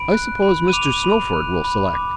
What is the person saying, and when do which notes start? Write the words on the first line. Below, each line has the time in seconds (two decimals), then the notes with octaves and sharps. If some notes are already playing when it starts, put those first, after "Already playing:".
"I suppose Mr. Snowford will select."
Already playing: B5 D7
0.12 F#6
0.42 B5
0.68 D#7
0.73 D6 F7
1.03 B5
1.33 F#6
1.64 B5
1.94 D6